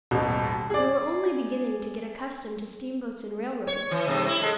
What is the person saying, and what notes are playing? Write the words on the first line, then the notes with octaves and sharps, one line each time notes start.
We were only beginning to get accustomed to steamboats and railroads.
D#1 A1 B2
G#4 D5
C#5
E3
G2 C3 A3
E4
G#3 A4